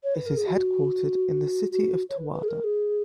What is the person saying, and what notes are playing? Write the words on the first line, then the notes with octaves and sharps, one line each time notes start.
It is headquartered in the city of Towada.
C#5
B4
A#4
G#4
F#4
F#4
C#5
B4
B4
G#4
A#4
G#4